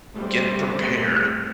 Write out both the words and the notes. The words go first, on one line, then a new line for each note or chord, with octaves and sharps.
get prepared
G3 A3 C4